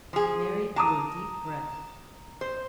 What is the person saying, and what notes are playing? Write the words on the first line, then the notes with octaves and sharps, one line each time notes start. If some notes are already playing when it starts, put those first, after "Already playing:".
Mary drew a deep breath.
F3 G#4
A5 A#5 D6 D#6
C5